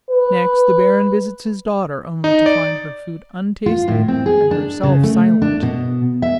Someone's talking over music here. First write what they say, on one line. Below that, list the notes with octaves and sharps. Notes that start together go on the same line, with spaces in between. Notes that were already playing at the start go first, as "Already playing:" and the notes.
Next, the Baron visits his daughter, only to find her food untasted and herself silent.
B4
D#4
D5
F4
A2
C4
G#4
D4
C#3
A3
D4
B2
E5